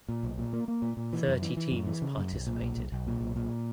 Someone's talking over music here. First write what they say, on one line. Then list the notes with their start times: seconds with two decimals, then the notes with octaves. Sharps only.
Thirty teams participated.
0.09 A#2
0.23 B1
0.38 A#2
0.53 A#3
0.68 A#3
0.82 A#2
0.97 A#2
1.13 E3
1.28 F#2
1.42 E3
1.57 E3
1.72 F#2
1.87 E3
2.02 C#3
2.17 F#2
2.32 B1
2.47 A#2
2.62 B1
2.77 B1
2.92 B1
3.07 A#2
3.21 B1
3.36 A#2